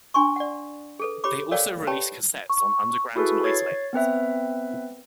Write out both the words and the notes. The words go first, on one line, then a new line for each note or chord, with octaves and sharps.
They also released cassettes on underground noise labels.
D4 G#5 C6 C#6
D5 F#5
G#4 A4 B4
G4 C#5 B5 D6
A4 A#4 C#5 D5 F5 G5
G4 B4 C#5 G5 A5 B5
C#6
E4 F#4 G#4 A4 B4
C#5 G#6 A6 C7
B3 C4 B4 E5